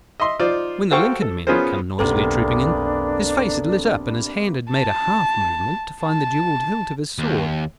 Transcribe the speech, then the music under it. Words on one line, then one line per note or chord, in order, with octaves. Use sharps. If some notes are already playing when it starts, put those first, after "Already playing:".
When the Lincoln men had come noisily trooping in, his face had lit up and his hand had made a half-movement to find the jewelled hilt of his sword.
D#5 E5 C6
D#4 F4 C5 D5
F#4 A4 C5 F5 G5 C#6
A4
B3 C#4 F4 G#4 A#4 C5
B1 F2 C3 A#3 B3 D4 A4
A5
A5
D#2